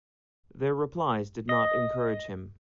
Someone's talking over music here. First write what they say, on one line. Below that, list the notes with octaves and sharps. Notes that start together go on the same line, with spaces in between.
Their replies did not encourage him.
D#5